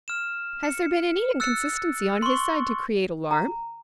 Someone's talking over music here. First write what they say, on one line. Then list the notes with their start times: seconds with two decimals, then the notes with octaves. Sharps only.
Has there been any inconsistency on his side to create alarm?
0.08 F6 E7
0.63 C#7
1.40 E6 F#6 A6 C#7
2.22 C6 C#6
3.31 A#5